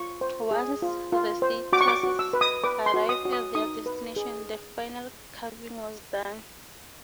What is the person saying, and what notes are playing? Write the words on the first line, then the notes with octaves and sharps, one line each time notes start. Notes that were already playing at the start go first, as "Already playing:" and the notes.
Once the statues arrived at their destination, the final carving was done.
Already playing: F4 C#6
C5
G#4
F4
F4
C5
F#4 D6
C#6
D6
F#4
E6
B4
D#6
B4 D6
C6
F#4
D#6
F#4
D#6
D#4 D#6
B4
G#4